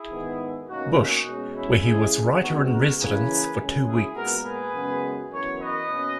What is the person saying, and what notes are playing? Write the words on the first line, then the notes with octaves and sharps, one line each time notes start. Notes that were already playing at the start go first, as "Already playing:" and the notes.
Bush, where he was writer-in-residence for two weeks.
Already playing: E4 G#4
G#2 D#3 G#3 B3
B2 A#3 C#4 D#4 F#4
D#4 F#4
B2 G#3 C#4
C#4 E4
C#3 G#3 C#4 E4 G#4
C#3 G#3 B3 D#4 F#4
F#4 A#4
C#3 E3 A#3 C#4 G#4 B4
F#2 C#3 G#3 C#4
E4 G#4
A#2 G#3 B3 F#4 A#4
G#4 B4
F#2 C#3 G#3 B3
F#2 E3 B3 A#4 C#5
B4 D#5
B2 A#3 C#4